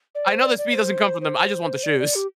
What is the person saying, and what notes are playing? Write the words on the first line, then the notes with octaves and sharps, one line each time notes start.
I know the speed doesn't come from them. I just want the shoes.
D5
C5
D5
D5
C5
C5
D5
D5
G4